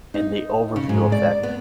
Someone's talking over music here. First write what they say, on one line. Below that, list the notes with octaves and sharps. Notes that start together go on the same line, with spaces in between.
And the overview effect
D#4
C#3
G#2
D5
B3